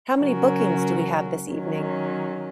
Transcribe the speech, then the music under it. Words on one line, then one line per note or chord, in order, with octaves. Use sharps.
How many bookings do we have this evening?
C#3 F#3 C#4 F#4 A#4
D#3 F#3 C#4